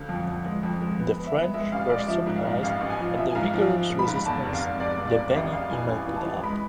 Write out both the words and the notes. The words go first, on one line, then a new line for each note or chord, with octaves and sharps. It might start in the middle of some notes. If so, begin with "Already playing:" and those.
The French were surprised at the "vigorous resistance" the Beni Immel put up.
Already playing: D2 D3 F5
F2
F2
G#3
F2
G#3
B3
B3
E5
B3
G#3 E5
A1 F5
G#3 D5
F3 E5
G#2
F5
G#2
A1 F5
A1
G#5
F3
F3 E5
G#5
G#2 F5
F3 F5
F3
G#2
B5
G#2
E2 A5
F1
F5
F1
F1 D5
F1
D5
F1
A1 E5
A1 F5
E3 G#5
A1 G#5
E3
A5
E3
G#3 B5